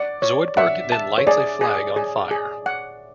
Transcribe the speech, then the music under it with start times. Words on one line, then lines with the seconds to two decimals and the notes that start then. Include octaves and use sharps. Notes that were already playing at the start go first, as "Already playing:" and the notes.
Zoidberg then lights a flag on fire.
Already playing: D5 F#5
0.22 C#5
0.57 E5 F#5
0.92 A5
1.18 C#5
1.27 G#4 D5
1.61 G#4
1.96 G#4
2.31 G#4
2.66 F#5